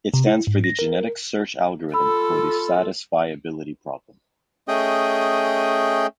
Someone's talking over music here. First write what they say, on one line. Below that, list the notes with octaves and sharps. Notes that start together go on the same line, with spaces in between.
It stands for "Generic seaRch Algorithm for the Satisfiability Problem".
C3
E4
G#2
A#6
A#4
F4 A4 B5 E6
A3 C#4 G#4 D#5 G5